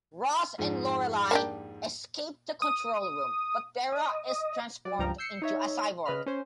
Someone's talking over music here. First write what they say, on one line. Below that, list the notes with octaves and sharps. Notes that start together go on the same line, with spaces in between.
Ross and Lorelei escape the control room, but Vera is transformed into a cyborg.
F2 G#2 F3
A#3 D4 G4
D#6
D#5
F#3 D5
C#2 G2 F3 G5 A#5
E6 G6 C7 C#7
D#4 C#5 E5
C#3 B4 D#5 B5 F6
C#4 C5